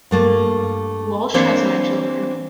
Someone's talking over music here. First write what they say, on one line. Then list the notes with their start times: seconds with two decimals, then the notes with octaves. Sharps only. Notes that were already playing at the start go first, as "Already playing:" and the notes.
Walsch has nine children.
0.11 G2 A3 A#3
1.34 E3 A#3 C4 D4 C5 C#5